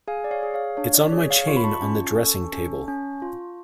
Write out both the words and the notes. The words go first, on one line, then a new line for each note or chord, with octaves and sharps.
It’s on my chain on the dressing-table.
G#4 F5 G#5
D5
C#5 F5
G#4
C#5 F5
D4 C#5
D5
G#4 C#5
C#5 F5
F4 C#6
B5
A5 C#6
C#4
A4
C#4
C#4
F4